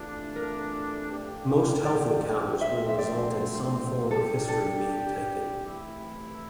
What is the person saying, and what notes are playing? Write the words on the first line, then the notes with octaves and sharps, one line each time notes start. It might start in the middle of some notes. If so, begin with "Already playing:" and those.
Most health encounters will result in some form of history being taken.
Already playing: C3 E3 A3 D4 F4
A#4
F3 A3 D4 G4
D5
D3 F3 A3 C4 E5
E5
D5
C5
C3 G3 D4 G4 A4
A4
C3 E3 A3 E4